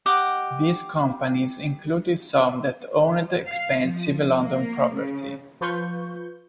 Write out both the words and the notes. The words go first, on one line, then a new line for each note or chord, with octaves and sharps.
These companies included some that owned expensive London property.
G4 D#5 F#5 D6
F5
F3
A#3
C#3
F3 F4 B4 C#6 G6